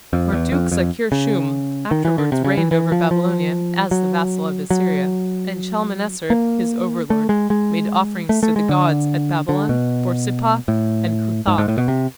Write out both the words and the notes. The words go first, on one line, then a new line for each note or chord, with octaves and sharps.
Marduk-zakir-shum afterwards reigned over Babylonia as the vassal of Assyria, and Shalmaneser, his overlord, made offerings to the gods at Babylon, Borsippa, and Cuthah.
F2
E2
F2
F2
C#3
D#3
E3
D3
C3
C#3
E3
E3
F3
F3
F#3
F#3
A#3
A3
G#3
G#3
A3
A3
G#3
D3
D3
B2
A2
G#2
G#2
A2
B2
C3